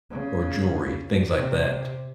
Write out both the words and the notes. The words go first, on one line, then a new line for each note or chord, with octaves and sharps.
or jewelry, things like that. It's
C#3
C3